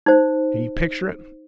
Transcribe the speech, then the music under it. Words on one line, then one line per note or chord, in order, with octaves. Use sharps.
Can you picture it?
D#4 C5